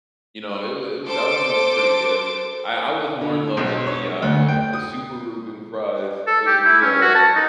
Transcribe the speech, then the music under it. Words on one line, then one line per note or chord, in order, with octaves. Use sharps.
you know, it was it was that one was pretty good. I I was more in love with the, uh uh the super Reuben fries, it would be, uh,
A4 C5 D6 A6 D7
D3
B1
C#5
D2
G5
D#6
A4
G4
E4
C#4
F#4
A5
D#4